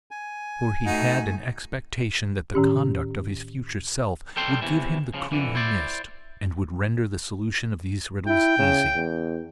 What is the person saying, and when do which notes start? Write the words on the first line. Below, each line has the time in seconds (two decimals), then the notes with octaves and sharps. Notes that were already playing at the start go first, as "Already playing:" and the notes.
For he had an expectation that the conduct of his future self would give him the clue he missed, and would render the solution of these riddles easy.
0.11 G#5
0.86 A3 D#4 F#4
2.54 A2 D#3 C#4 G4
4.36 G3 A4 G5 C6
4.62 E2 C3 E3
5.14 C#3 F3
5.32 F2 D3 E3
5.55 E4 C5 D5
8.27 E4 G5
8.58 C#3
8.95 E2